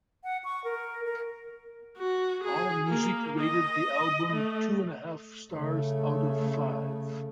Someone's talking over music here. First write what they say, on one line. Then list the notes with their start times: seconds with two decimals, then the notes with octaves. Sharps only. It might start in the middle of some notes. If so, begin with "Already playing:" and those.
"Allmusic" rated the album two and a half stars out of five.
0.24 F#5
0.44 C#6
0.64 A#4
1.05 A#4
1.98 F#4
2.44 G#4
2.88 A#3
3.40 D#5
4.33 A3
5.53 C#3 A3